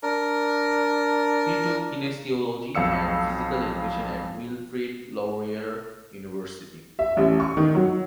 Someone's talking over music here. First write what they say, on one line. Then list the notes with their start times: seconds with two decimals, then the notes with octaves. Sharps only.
He took Kinesiology and Physical education at Wilfrid Laurier University.
0.03 D4 A#4
2.75 B1 F2 F5 E6 C#7
6.99 E5
7.17 A1
7.40 C#6
7.57 D#3
7.75 F#3